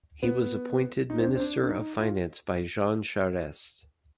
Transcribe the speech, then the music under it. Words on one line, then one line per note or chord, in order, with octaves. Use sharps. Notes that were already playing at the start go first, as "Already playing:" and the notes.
He was appointed Minister of Finance by Jean Charest.
B3
D#4
C4
D4
C4
D4
D4
D#4
F4